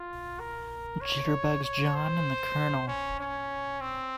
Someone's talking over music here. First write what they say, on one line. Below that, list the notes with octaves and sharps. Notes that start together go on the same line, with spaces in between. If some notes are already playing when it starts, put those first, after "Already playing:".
Jitterbugs JOHN and the COLONEL.
Already playing: F4
A#4
C#5
C#5
C5
C#4
C#4
C4